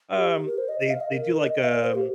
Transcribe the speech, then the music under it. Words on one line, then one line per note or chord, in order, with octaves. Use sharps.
um they they do like, um
G4
A#4
C5
D#5
D#5
F5
D#5
A#4
D#5
D#5
F5
A#4
C5
G4